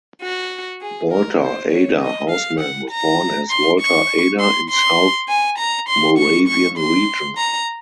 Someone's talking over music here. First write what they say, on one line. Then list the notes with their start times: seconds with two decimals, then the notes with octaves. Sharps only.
Walter Ader Hausman was born as Walter Ader in South Moravian Region.
0.22 F#4
0.81 G#4
1.12 A#4
1.42 C5
1.71 C#5
2.01 D#5
2.30 F5
2.60 F#5
2.90 A#5
3.50 C6
3.80 C#6
4.40 C6
4.70 C6
5.29 G#5
5.58 A#5
5.89 C6
6.18 C#6
6.48 C#6
6.78 C6
7.37 A#5